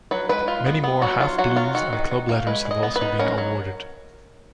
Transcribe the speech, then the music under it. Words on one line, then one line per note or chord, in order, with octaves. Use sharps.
Many more half blues and club letters have also been awarded.
F#3 B4
G#3 B4
F4
B3
B3
F#3 F#4
F#3 F4
F#3 F#4
F#3 F4
D#3 F#4
D#3
D#3
A#3
G#3 B4
G#3
D#5
B3
B4
D#4
C#4 A#4
F#3